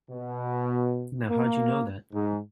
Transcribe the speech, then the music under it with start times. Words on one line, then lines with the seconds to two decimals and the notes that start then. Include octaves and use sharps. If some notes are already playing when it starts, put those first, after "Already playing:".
Now how'd you know that?
0.10 B2
1.29 A#3
2.13 G#2